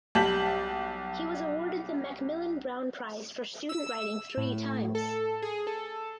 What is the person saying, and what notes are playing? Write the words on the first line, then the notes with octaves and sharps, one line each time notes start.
He was awarded the Macmillan Brown Prize for student writing three times.
B1 G3 A5 G6 B6 F#7
E6
A2
A4
G#4
A4